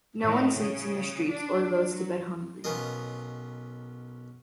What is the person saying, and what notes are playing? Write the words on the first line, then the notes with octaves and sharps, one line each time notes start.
No one sleeps in the streets, or goes to bed hungry.
A2 D#3
C#3
D4
F#3
B1 B3 C#4 F4 A#4 D#5